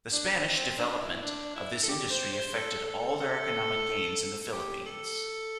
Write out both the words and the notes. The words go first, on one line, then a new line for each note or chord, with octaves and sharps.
The Spanish development of this industry affected all their economic gains in the Philippines.
D4
C4
C4
D4
D4
E4
D4
E4
A4
G4
C5
C5
A4
A4
A4
G4
A4